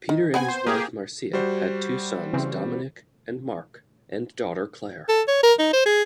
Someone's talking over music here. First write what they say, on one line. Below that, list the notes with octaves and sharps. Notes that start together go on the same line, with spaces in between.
Petre and his wife Marcia had two sons Dominic and Mark and daughter Clare.
D#3
B3 C4 F#5 G#5
C5
A#3 G4 G#4
G3 F#4 C5
C#3 E3 C4
A4
C#5
A#4
D#4
C5
G#4